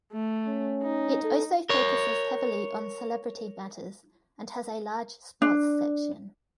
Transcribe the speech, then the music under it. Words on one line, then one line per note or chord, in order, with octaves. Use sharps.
It also focuses heavily on celebrity matters, and has a large sports section.
A3
C#4
D#4
A4
A#4 C#5
D4